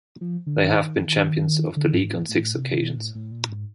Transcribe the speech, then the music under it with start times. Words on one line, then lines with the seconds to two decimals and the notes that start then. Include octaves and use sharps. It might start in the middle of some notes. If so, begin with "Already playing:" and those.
They have been champions of the league on six occasions.
0.21 F3
0.47 D3
0.56 D#3
1.76 D3
1.94 G#2
2.11 A2
2.29 A2
2.54 C3
2.80 B2
2.97 A2
3.15 A2
3.31 A#2
3.49 G#2